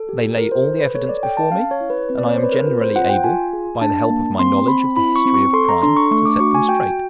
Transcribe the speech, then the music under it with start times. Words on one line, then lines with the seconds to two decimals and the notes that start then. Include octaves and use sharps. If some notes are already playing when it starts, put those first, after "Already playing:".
They lay all the evidence before me, and I am generally able, by the help of my knowledge of the history of crime, to set them straight.
Already playing: A4
0.09 G4
0.37 F4 A#4
0.52 C5
0.66 A4
0.80 B4
0.94 A4 C#5
1.09 D5
1.23 A4 G5
1.37 A5
1.52 C#4 F5
1.71 C#5
1.81 E4
1.90 B4
2.09 C4 B4
2.18 D5
2.27 C#5
2.35 C4 C5
2.44 B4
2.52 A#4
2.67 F4 B4
2.81 C5
2.96 F4 F#5
3.10 G5
3.24 F4 G#5
3.53 G#4
3.81 D4 A5
4.10 A#3
4.39 C4 C6
4.67 C4 B5
4.96 E4 B5
5.16 C#6
5.25 C4
5.34 C#6
5.53 A4 C6
5.69 A#5
5.83 D4 C6
5.97 C#6
6.11 A3 C#6
6.26 D6
6.40 F#4 C#6
6.55 G#5
6.69 F#4 G5